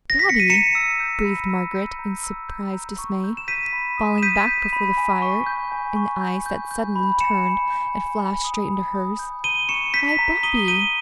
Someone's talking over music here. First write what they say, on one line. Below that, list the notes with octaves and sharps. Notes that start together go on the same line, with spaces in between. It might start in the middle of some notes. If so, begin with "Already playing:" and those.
"Bobby!" breathed Margaret in surprised dismay, falling back before the fire in the eyes that suddenly turned and flashed straight into hers. "Why, Bobby!"
A#6
B6
C#7
D#7
A#5 C#7 E7
E6
G6
B5
E6
G6
A#5
E6
G6
A#5
C#6
G6
E7
G6 B6 D#7
B5
D#6
E7
G6 B6 D#7
G6
B5
G#5
C#6
G6
G#5
C#6
G6
G6
G6
B5
G#5 C#7 E7
B5
G6
G#5
B5
D#6
B5
D#6
G6
A#5 D#7 G7
C#6 C#7 E7
G6 B6 D#7
A#5
D#6 D#7 G7
G6 D#7 G7